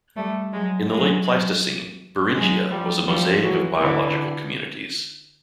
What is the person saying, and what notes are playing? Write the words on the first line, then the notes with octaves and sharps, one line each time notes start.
In the Late Pleistocene, Beringia was a mosaic of biological communities.
G3 A3
F#3 G#3
F#3 G#3
F#3 G#3
F3 G3
F3 G3
E3 F#3
D3 E3